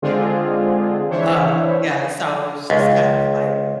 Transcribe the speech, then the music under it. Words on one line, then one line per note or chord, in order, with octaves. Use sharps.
uh, yeah, so, it's just kind of, like,
D3 G#3 C4 D4 F4 G#4
E3 D4 E4 C5 C#5 E5
C#2